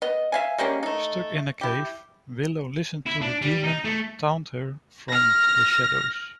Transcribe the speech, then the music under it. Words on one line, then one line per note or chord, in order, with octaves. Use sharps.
Stuck in the cave, Willow listens to the demon taunt her from the shadows.
B3 D#5
E5 F5 G#5
G3 G#3 A#3 C#4
A3 D#4
E4 G4
E4
D4
G3
D#4
A3
F6 A#6